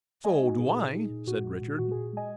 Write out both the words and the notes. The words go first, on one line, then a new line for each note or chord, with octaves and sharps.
"So do I," said Richard.
G#3 D#5 G#5
D#4 F#4
A#2 G#4
A#2
D#4
A#2
A#2 F#4
G#3
A#2
A#2 F#4
A#2 G#4
G#3 D#5 G#5